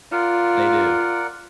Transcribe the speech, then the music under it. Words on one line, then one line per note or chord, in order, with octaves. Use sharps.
They do.
F4 A#4 D5 F#5